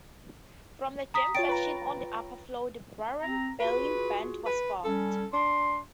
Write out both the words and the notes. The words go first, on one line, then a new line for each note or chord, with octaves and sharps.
From the jam sessions on the upper floor, "The Byron Berline Band" was formed.
A#5 D#6 B6
F4 C#5 G5 A6 D7
B4 A#5
C4 A#5
F4 F#4 G#4 B4
B4
G3 C#4 A4
D4 C6